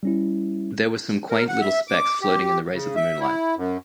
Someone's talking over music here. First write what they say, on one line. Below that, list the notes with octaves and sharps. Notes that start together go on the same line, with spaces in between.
There were some quaint little specks floating in the rays of the moonlight.
G3 C#4 E4
A#4
F#5
E5
D6
G4
C#3
E5
E4
F#2